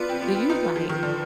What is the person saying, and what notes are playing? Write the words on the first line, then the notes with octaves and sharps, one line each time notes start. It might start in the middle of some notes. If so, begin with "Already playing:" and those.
Do you like
Already playing: B3 D4 F4 B4
C4
B3
C4
D#4
F3
D#3
D3